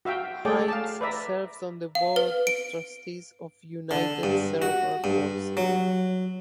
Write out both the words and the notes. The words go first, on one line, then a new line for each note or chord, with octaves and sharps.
Hines serves on the Board of Trustees of United Cerebral Palsy.
F#4 E5 F5 G5
A3 G#4 A4 C#5 D5 G5
F5 A5
B4 D5 E5 A#5
F5
B4
D7
D3
G2
F#4
G2
F#3